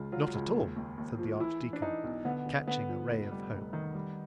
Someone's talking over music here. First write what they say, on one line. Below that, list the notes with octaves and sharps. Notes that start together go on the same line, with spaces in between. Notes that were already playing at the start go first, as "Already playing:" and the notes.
"Not at all," said the archdeacon, catching a ray of hope.
Already playing: C#2 C#3 F4
F#3 F4
C#2
D#2
D#2
D#2
F3
E3 E4
E3
D4
E3 D#4
B1
D3 B3
D3
D3 B3
F3
F1
G3
F1
D#3
G3